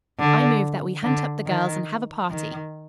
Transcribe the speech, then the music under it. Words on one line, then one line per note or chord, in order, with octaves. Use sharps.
I move that we hunt up the girls and have a party.
D3
D3
D#3
D#3